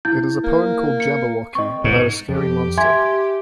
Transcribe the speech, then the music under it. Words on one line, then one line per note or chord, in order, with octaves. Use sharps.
It is a poem called "Jabberwocky" about a scary monster.
E4 G6
A#3
C#7
C4 D#5 C#6
G#2
F2 G4
E5 G#5 C6 G#6